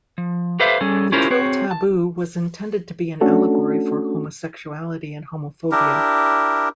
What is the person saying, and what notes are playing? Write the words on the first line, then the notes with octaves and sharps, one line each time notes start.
The Trill taboo was intended to be an allegory for homosexuality and homophobia.
F3
G4 A4 B4 C5 E5 F5
G3 C#4 G#4 A4
C#4 E4 F4 G4 A#4 C5
C4 F#4 G#4 C#5
A5
A3 C#4 D4 F#4 A4
D4 E4 G4 A#4